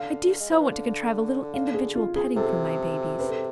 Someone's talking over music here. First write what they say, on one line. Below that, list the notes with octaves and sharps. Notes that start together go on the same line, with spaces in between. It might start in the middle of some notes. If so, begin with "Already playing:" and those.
I do so want to contrive a little individual petting for my babies.
Already playing: D3 F5
G#3
F3
E3
D3
F5
G#4
F4
G#4
C3 A4
B4
A4